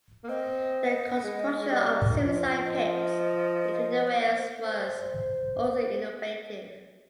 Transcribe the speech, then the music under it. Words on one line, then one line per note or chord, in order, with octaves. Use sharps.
The construction of "suicide pits" between the rails was also innovative.
A#3
C4 D#5
G#3
G#3
G3
D#3
F3
D#5
C5